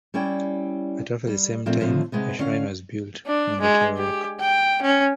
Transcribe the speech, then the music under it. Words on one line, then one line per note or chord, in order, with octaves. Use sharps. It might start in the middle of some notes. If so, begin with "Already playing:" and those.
At roughly the same time, a shrine was built on the Tyr Rock.
G3 C#4 E4 D5 G5
G3
A#2 F3 A3 C4 D4
A2 D3 F3 A3 C4 D#4
C3 G#3 B3 D#4
D3 C#4 F5
D4
G#3
G4
G5
C#4